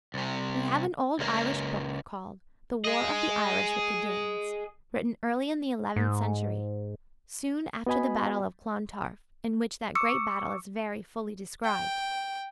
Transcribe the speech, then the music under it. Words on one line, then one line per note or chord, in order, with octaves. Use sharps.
We have an old Irish book called "The War of the Irish with the Danes," written early in the eleventh century, soon after the battle of Clontarf, in which that great battle is very fully described.
C2 C3
C#2 A#3
G#4 D#5
G#2
B3 F#4 D#5 G#5 B5
C#6 D6 E6 C#7
G5